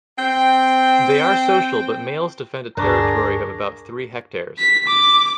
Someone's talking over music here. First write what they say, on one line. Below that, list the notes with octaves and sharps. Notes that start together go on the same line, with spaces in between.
They are social but males defend a territory of about three hectares.
C4 G5
D2 G2 D4 G#4 A#4 A#5 C#6 D6
B6
D6